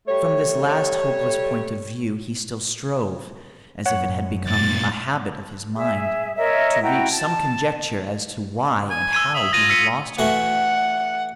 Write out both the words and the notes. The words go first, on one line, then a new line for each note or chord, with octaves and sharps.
From this last hopeless point of view he still strove, as if it had become a habit of his mind, to reach some conjecture as to why and how he had lost her.
G3 A3 C#5
F#2 C#5 F#5
G2 A#2 A6
G#4 E5
A#4 C#5 D#5 E5
E4 F#4 G5 A#5
A5
G#5
E6 G#6 D#7
E5 D#6 F#7
F4 A#6 D#7
E6 B6 C#7
E3 A3 F#4 F#5